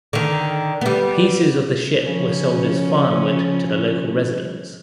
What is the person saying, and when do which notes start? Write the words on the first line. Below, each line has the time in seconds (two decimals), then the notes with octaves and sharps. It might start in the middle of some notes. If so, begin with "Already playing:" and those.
Pieces of the ship were sold as firewood to the local residents.
0.13 D3 D#3
0.81 G3 B3
2.02 C#3 F3 C#4